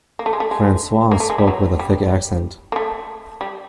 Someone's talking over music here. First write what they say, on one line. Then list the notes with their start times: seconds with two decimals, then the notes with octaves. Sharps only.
Francois spoke with a thick accent.
0.19 A#3
0.26 A3
0.33 G#3
0.40 A3
0.51 G#3
1.12 A#3
1.20 A3
1.30 G#3
1.38 G3
1.48 F#3
1.79 G3
2.72 A#3
2.76 A3
3.41 G3